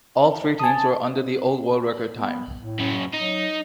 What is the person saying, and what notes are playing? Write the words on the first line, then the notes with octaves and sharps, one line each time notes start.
All three teams were under the old world record time.
G#5 A5 D#6
B3
A2
F#2 C#3
F#3 D#4